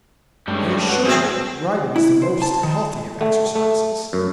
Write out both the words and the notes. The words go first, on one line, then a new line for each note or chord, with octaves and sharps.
"I assure you, riding is the most healthy of exercises."
G2 G#3 A3 C#4 G4
F#4 B4
F#2 F3 C4 D4 F#4 G#4 C5
E4
C5
A5
D#3
A3
A3
F#2